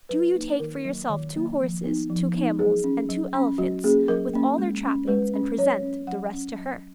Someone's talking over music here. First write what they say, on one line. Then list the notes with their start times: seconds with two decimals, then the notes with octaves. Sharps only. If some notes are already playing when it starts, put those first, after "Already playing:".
Do you take for yourself two horses, two camels, and two elephants, with all their trappings, and present the rest to her.'
0.09 F#3 B4
0.35 A#3 D#4
0.60 D#3 A#4
0.85 F#3 A#3
1.09 D#3
1.34 F#3 A#3
1.60 F3
1.84 B3 D#4
2.10 F3
2.34 B3 D#4
2.59 F#3 G#4
2.84 C#4
3.09 F#3
3.34 C#4
3.58 F#3 F#4
3.84 A#3 C#4 G#4
4.08 F#3 A#4
4.33 A#3 C#4
4.58 G#3
4.83 C#4
5.08 G#3 B4
5.34 C#4
5.58 F#3 C#5
5.83 C#4
6.07 F#3 F#5
6.33 C#4
6.58 F#3